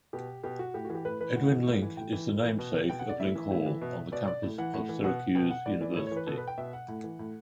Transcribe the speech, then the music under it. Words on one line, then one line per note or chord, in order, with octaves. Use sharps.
Edwin Link is the namesake of Link Hall on the campus of Syracuse University.
B2 G4
B2 G4
F#4
A2 G4
E3 F#4
G4
A2 B4
E3 B4
A2 F#5
E3
A2
E3
A2 G5
E3
A2
E3
B2
B2 G5
F#5
D5
A2 E5
E3
A2
E3
B2
B2 D5
D5
A2
E3 F#5
A2
E3
B2 F#5
B2 G5
F#5
A2 D5
E3 D5
A2 C#5
E3 C#5
B4
B2 A4
B4
G5
B2 E5
F#5
A2
E3
A2